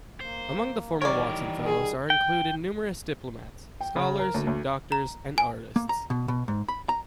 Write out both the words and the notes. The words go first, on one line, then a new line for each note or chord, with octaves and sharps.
Among the former Watson Fellows are included numerous diplomats, scholars, doctors, and artists.
A#3 C5
D#3 E3 G3 A#4 C#5 D5
G#4
G5
G5
C#3
A#4
D2
D2
A#5
G#5
A#3
A#5
B2
B2
G#2
B5
A#5